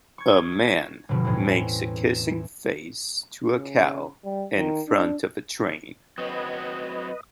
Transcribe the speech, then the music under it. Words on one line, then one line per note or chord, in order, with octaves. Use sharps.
A man makes a kissing face to a cow in front of a train.
C#6 G#6
G1 B2 F3
E2 A2 C4 C#4
E7
C#3
G3
D#3
D4
F#3 C4 F#4 B4 D#5